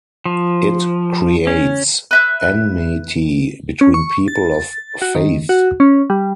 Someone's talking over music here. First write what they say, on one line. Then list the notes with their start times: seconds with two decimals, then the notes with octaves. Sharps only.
It creates enmity between people of faith.
0.26 F3
1.47 C#4
2.11 B4 E5 F#6
3.81 C#4
3.94 C#6
4.28 A6
5.02 F#4
5.15 D#3
5.49 F#4
5.80 C#4
6.10 G3